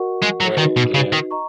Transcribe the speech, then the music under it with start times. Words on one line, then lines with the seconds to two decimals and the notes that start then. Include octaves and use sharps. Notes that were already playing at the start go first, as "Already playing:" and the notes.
Right, yeah.
Already playing: F#4 A#4 D#5 F#5 C#6
0.22 G#3
0.40 F#3
0.58 D#3 D#4 F#4 B4 D#5
0.77 B2
0.94 C#3
1.12 D#3
1.31 D#5 A#5 C#6